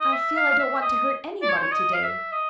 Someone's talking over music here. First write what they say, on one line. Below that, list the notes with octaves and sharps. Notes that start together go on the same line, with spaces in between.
"I feel I don't want to hurt anybody to-day."
D#5
E5
F5
F5
E5
D#5
D5
C#5
C5
C#5
D#5
F5
E5
D#5